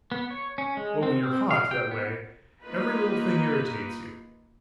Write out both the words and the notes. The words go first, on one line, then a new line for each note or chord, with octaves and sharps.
Well, when you are hot, that way, every little thing irritates you.
B3
C#5
C#4
G#3
C4
C4
F5
G5
B3
A#3 D#4 F4 B4